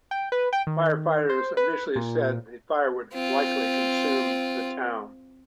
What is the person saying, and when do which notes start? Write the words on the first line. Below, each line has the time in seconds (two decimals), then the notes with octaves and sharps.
Firefighters initially said the fire would likely consume the town.
0.11 G5
0.32 B4
0.53 G5
0.67 D#3
1.29 C5
1.57 B4
1.96 A#2
3.14 C4 F4